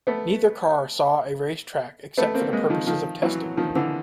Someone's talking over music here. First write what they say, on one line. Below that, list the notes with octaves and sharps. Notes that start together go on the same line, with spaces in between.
Neither car saw a racetrack except for the purposes of testing.
A3 B3
A3 B3
A#3 C4
G#3 A#3
D#3 F3
D#3 F3
E3 F#3
D#3 F3
D3 E3